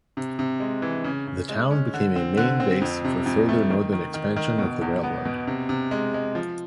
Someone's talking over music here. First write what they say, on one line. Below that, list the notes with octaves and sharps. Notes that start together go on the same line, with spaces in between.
The town became a main base for further northern expansion of the railroad.
C3
C3
G#3
E3
C#3
C#3
G#3
C#4
D3
C4
D3
C4
F2
C3
F2
A3
D#3
D#3
D#3
D#3
B2
E2
B3
B2
C3
C3
G#3
G#3
F3